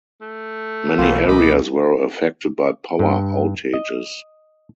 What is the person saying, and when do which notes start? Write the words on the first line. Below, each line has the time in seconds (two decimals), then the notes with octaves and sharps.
Many areas were affected by power outages.
0.21 A3
0.98 B1 B2 E3 F#3 A#3 C4 F4
1.28 C#2 D#5 B5 D6
2.99 G2
3.74 D#5